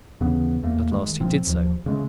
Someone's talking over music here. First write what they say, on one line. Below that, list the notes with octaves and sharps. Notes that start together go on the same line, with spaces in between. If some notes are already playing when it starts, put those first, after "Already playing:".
At last he did so.
D#2 C#3 E3 B3
E2 A3 A#3
F1 D#3 G#3
G1 A#2 F3 C4
D#2 F3
C#3 G#3 A3